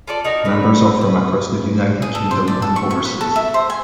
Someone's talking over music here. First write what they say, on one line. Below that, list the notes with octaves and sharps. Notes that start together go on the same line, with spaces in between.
Members are from across the United Kingdom and overseas.
F4 A4 D5
D#4 F#4 A#4
D3 B4
B4
G#4
A4
C5
D5
A4
C#6
C#6
B4
A4
E5
C5
G#5